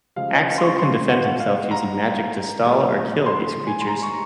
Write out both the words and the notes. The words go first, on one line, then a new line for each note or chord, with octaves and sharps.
Axil can defend himself using magic to stall or kill these creatures.
C#3 F3 G#3 F5
D#5
F5
C6
C#6
C6
F#5
F5
A#5
A#2 F3 G#3
C6
G#5
C6
A#5
C#6